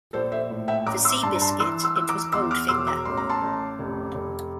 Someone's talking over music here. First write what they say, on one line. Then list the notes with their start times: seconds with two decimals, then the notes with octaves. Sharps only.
For "Seabiscuit" it was "Goldfinger".
0.13 A#1 A4 C5
0.32 C5 E5
0.50 A2
0.68 E5 G5
0.87 A1 A#5 D6
1.04 C6 E6
1.23 G2 A5 C6
1.35 A#5
1.41 A5 C6
1.60 E3 C6 E6
1.83 C6 E6
1.96 E3 E6
2.09 A#5 D6
2.32 E2 C6 E6
2.51 D6 F6
2.69 E1 C6 E6
2.87 A#5 D6
3.05 A1 C6
3.17 A#5
3.29 A5 C6
3.42 A1
3.79 F1
4.15 F1